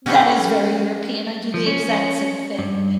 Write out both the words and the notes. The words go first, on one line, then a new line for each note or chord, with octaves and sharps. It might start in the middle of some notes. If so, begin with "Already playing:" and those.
That is very European, I do the exact same thing.
C#4 F#4 G4 A4 B4 C5
F3
C#4
G2